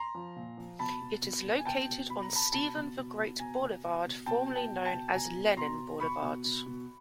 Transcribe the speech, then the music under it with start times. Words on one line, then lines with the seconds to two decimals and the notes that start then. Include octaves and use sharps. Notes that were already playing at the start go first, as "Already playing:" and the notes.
It is located on Stephen the Great Boulevard formerly known as Lenin Boulevard.
Already playing: A#5 C6
0.15 F3
0.36 A#2
0.57 F3
0.79 B2 A5 B5
1.01 B2
1.22 B2
1.44 B2
1.59 G#5
1.65 B2 G5 A5
1.88 B2
2.09 B2 B5
2.22 A#5
2.31 B2 A5 B5
2.52 B2 A5 B5
2.75 B2
2.97 B2
3.18 B2
3.39 B2 G#5 A#5
3.62 B2
3.83 B2
4.06 B2
4.26 B2 G5 A5
4.49 B2
4.55 G5 A5
4.70 B2
4.85 G5 A5
4.92 B2
5.08 A5
5.14 B2 G#5 A#5
5.36 B2
5.57 B2 A#5 C6
5.78 B2
6.00 B2 B5 C#6
6.22 B2
6.45 B2
6.66 B2